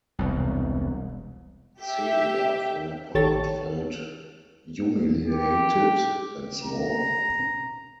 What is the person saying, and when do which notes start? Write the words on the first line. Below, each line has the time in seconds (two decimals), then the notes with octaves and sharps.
Celia, for her part, felt humiliated and small.
0.19 E1 C2
1.80 G4 E5
3.14 A1 D#3 G4 A4 C#5 A6
5.28 G4
6.64 A#5